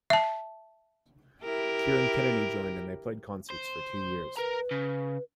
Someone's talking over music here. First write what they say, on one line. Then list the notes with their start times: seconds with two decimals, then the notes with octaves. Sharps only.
Kieran Kennedy joined and they played concerts for two years.
0.10 E5 A5
1.43 E4 G4 A#4
3.51 C5
4.37 A#4 B4 A#5
4.71 C#3